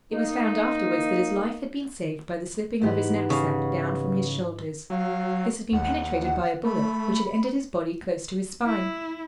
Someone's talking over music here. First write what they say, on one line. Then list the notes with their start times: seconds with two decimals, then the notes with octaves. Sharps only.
It was found afterwards that his life had been saved by the slipping of his knapsack down from his shoulders. This had been penetrated by a bullet, which had entered his body close to his spine.
0.12 A#3 D#4
2.81 G#2 E3 B3 G4
3.30 C#3
4.90 F#3 F5
5.72 D#2 F#5
6.64 A3 B5
8.65 E4